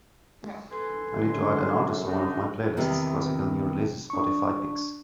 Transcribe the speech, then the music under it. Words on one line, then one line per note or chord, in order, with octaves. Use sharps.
I need to add an artist to one of my playlists, Classical New Releases Spotify Picks.
A4 B4 G#5 C6
F#2 D3
C#3 F#3 D4 D#4
E2 C3 D#3 D#4
D4 C#6